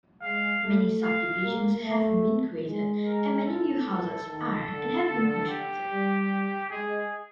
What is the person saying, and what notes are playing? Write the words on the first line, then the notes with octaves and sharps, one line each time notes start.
Many subdivisions have been created and many new houses are and have been constructed.
G#3 F5
A3
F5
A#3
A3
G#3
A#4
A4
E3
D#3 A4
D3
D3
G4
G3
G#3 G#4